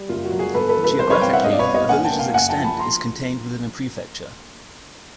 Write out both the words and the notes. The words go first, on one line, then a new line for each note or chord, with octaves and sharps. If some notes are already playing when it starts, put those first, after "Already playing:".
Geographically, a village's extent is contained within a prefecture.
Already playing: G3
F#1 F4
F#4
F#3
F#4 G#4
G1 A4 B4
A4 B4
E3
A4 B4
C2 A#4 C5
B4 C#5
C2 F5 G5
E5 F#5
G2 D#5 F5
D5
B4 C#5
B3
C#5 D#5
A#1 F#5 G#5
G5 A5
A#3
F5 G5
F#1 F#5 G#5
G5 A5
F3
A5 B5
A#5 C6